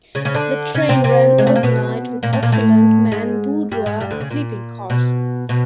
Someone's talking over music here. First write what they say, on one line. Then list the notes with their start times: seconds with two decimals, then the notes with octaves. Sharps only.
The train ran overnight with opulent Mann Boudoir sleeping cars.
0.15 C#3 C#4
0.25 C#3 C#4
0.35 D3 D4
0.74 C#3 C#4
0.89 C3 C4
1.04 C3 C4
1.38 G#3
1.47 A3
1.56 A#3
1.63 B2 B3
2.23 A#2 A#3
2.33 A2 A3
2.43 A#2 A#3
2.52 A2 A3
3.12 G#2 G#3
3.72 G2 G3
3.86 G#2 G#3
4.00 G2 G3
4.11 D2 D3
4.20 C#3
4.30 A#2
4.90 B2
5.49 B2